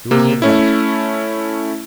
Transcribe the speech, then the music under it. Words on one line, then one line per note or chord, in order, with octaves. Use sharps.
There was no light.
C3 A#3
A3 C#4 E4